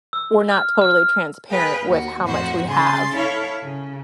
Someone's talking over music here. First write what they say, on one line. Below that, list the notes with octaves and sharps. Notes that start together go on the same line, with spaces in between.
we're not totally transparent with how much we have.
E6
F6
F6
G#4 B4 F5 G5
D#2 A#3 F#4
F2 A2 F#4 C5
C#3 G#4 C6 A6
E4 A4 C#5 F5
C#3